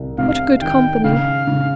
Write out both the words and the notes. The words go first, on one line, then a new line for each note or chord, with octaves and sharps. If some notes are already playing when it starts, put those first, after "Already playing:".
What good company!
Already playing: C2
C3 F5
D#3 G5
C#3 F5
C#3